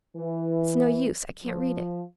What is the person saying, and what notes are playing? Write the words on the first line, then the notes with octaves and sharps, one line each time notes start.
It's no use--I can't read it.'
E3
F3